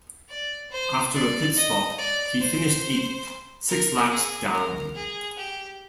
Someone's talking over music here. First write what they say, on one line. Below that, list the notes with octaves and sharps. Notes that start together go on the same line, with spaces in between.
After a pit stop, he finished eighth, six laps down.
D5
C5
D5
D#5
D5
C5
A#4
G#4
A#4
G#4
G4